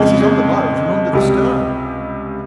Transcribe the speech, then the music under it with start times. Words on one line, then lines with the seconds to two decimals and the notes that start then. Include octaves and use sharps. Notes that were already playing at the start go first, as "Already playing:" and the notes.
"It is on the bows and under the stern."
Already playing: F2 C#3 G#3
0.20 G#4
1.13 C#2 C3 G3